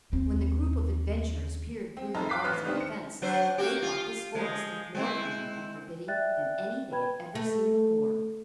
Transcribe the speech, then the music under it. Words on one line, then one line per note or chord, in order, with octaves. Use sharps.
When the group of adventurers peered through the bars of the fence they thought this forest looked more gloomy and forbidding than any they had ever seen before.
D#2 C4
C4
F1 F#2 D#4 A4 A#5
F5 G5 D6 F#6 B6 C7
A1 B4 F6
D#3 G3 B3 C4 D4
C5 C#7
F#3 D4 C5
A#3 F#4 G4
F4
F3 G#3
G#3 C4 E4
D5 E5 G5 F#6 A6
B4 G5 B5 G#6
A3